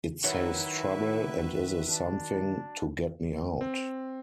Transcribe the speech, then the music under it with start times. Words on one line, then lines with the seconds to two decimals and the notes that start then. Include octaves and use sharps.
It saves trouble, and is a something to get me out.
0.24 D#3 F#3 E4 B4 E5
1.88 D4
3.61 C4